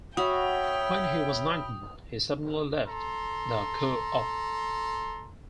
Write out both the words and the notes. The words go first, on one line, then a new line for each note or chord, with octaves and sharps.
When he was nineteen he suddenly left the Co-op.
F#4 C#5 E5 G5 B5 D#6
A4 A#5 C6